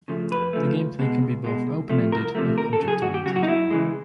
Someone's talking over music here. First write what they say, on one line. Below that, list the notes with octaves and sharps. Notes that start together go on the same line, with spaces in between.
The gameplay can be both open-ended or object-oriented.
C#3 F3 A3
F2 B4
C#3 F3 A3
C#2
B2 G#3
C#2
B2 G#3
C2
C3 F3 A3
C2 A#4
C3 F3 A3
D#2 A#4
A4
C#3 F#3
G#4
D#2 F#4
G4
C#3 F#3 F#4
F#4
D#4
F#2 E4
C#3 E3 G#3